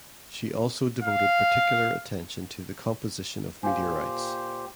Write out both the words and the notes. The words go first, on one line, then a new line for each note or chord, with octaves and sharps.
She also devoted particular attention to the composition of meteorites.
F5
A#2 G4 C5 F5 G#5